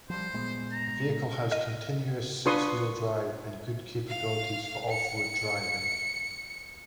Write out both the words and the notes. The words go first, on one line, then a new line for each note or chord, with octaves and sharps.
The vehicle has continuous six wheel drive and good capabilities for off-road driving.
F3 G3 C5
A#2 G#3 B3
A#5
D#5 F6
D4 F4 B4 C6 C#6 D#6
F5
C#7